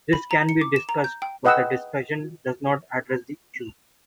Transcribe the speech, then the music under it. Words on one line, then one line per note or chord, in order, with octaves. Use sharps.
This can be discussed, but the discussion does not address the issue.
B5
A#5
C#7
D6
E7
A#5
G6
G5
B4 D#5 F#5 G5 E6